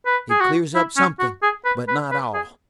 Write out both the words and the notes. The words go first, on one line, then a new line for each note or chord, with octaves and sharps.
It clears up something, but not all.
B4
G#4
F#4
E4
C#4
F#4
G#4
B4
B4
B4
G#4